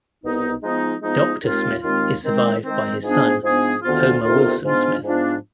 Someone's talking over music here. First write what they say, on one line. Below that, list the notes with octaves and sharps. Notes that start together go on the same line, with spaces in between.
Doctor Smith is survived by his son, Homer Wilson Smith.
C2 B2 B3 D#4
F3 G#3 B3 D#4
F3 G#3 B3 D#4
D#2 D#3 G#3 C4 F4
D#2 D#3 G#3 C4 F4
D#3 G#3 C4
D#3 G#3 C4
G#2 F3 B3 D4 G#4
G#2 F3 B3 D4 G#4
D2 C3 D#3 B3 F4
D2 C3 D#3 B3 F4
G#2 F3 B3 D4 F4
G#2 F3 B3 D4 F4